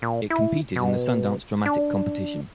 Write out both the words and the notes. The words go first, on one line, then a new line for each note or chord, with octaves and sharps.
It competed in the Sundance Dramatic Competition.
A#2
E4
B2
D4